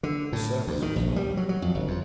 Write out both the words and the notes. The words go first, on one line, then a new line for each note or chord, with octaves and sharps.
The circus was gone.
D3
A2
D2
D#3
A#1
G3
F#3
F#3
F2
G1
F2